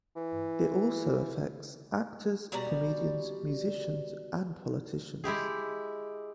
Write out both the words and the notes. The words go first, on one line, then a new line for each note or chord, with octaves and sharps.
It also affects actors, comedians, musicians, and politicians.
E3
B2 G3 D5 A#5
G#3 E4 G4 G#4